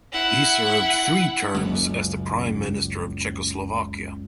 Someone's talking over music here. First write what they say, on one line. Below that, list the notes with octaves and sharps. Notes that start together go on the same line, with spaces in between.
He served three terms as the prime minister of Czechoslovakia.
E4 F#5
F#1 C#2